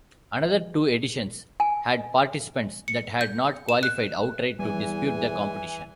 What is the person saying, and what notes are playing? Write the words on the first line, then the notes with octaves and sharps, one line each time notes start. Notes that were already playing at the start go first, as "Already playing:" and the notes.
Another two editions had participants that had not qualified outright to dispute the competition.
G#5
C#7
G6
E7
F#6
E2 E3 G3 G#5